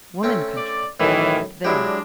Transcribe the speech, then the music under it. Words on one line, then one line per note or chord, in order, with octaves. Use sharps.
"Woman Country--up there."
A3 C4 C#4
D5
F#2 A2 D#3 E3
F#3 G#3 D4 E4 G4